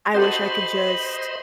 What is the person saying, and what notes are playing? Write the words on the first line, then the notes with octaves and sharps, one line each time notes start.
I wish I could just,
F#4 G4 A4 B4 C5 D#5 B5 C6